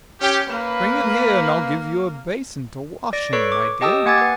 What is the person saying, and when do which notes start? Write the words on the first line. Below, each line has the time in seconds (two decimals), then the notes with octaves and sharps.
Bring it here; and I'll give you a basin to wash in, my dear.'
0.21 C#4 G4
0.50 A#3 B4
3.13 D5 A#6 D7
3.33 A4 B4 C#5 C#6
3.52 D6
3.81 G4 D#5 G5 A5 D#6 E6
4.06 A#3 F#5 G#5 D6 G#6 A6
4.18 B4 F#5